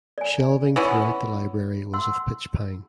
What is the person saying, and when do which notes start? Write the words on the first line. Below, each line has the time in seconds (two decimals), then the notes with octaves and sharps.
Shelving throughout the library was of pitch pine.
0.18 D5 G#5
0.76 E3 B3 C#4
1.93 F#5 C6 E6